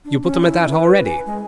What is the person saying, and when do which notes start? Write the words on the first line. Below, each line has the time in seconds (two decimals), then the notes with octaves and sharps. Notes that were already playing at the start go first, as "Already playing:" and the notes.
You put them at that already?...
0.05 D4
0.22 C#4
0.42 E4
0.71 B4
1.05 G#5
1.26 G#3